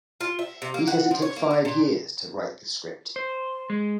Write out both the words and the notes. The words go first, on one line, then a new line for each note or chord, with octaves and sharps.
He says it took five years to write the script.
F4
E5
C3
A#3
F#5
F3
C#5
A#3
A#4
A#2
C5 C6
G#3